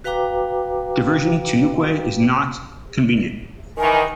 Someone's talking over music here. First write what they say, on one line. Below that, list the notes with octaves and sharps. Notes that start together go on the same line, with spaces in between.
Diversion to Newquay is not convenient.
F#4 B4 F5 G5 A#5 D6
D#3 E3 A#4 G#5